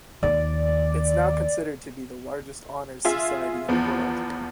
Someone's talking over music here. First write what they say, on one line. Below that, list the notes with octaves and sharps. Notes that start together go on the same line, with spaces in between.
It's now considered to be the largest honors society in the world.
D#2 D5
F4 G#4 E5
E2 F3 B3